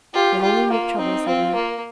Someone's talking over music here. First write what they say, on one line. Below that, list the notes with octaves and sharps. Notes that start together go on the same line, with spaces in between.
You'll only make trouble, Sidney.'
F4 G4
F4 G4
A#3 F4
C4 D#4
C4 F4
A#3